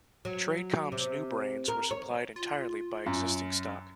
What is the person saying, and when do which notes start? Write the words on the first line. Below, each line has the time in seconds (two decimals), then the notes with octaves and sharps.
Tradecom's NewBrains were supplied entirely by existing stock.
0.25 F#3
0.92 C3
1.68 A#4
1.91 C#5
2.36 F4
3.06 F#2